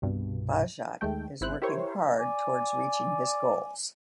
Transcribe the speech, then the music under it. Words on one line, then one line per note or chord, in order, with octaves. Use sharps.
Bahjat is working hard towards reaching his goals.
C2 G2 B2
D#2 G#3 A3 G5
G#1 E4 C5 F#6
E4 G4 A#4 C5 C#5
D5 G#5